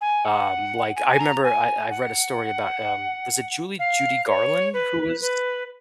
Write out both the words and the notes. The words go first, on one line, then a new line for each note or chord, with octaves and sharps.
um, like, I remember I I read a story about um, was it Julie Judy Garland who was
G#5
F#5
G#5
G#5
A#5
G#5
F#5
F5
C#5
B4
B4